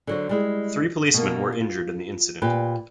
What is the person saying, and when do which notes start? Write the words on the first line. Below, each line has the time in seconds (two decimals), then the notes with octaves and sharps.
Three policemen were injured in the incident.
0.07 D3 F#3 C5
0.29 G3 G#3 E4
1.14 B2 A#3
1.52 F4
2.42 A#2 G4 B4 G5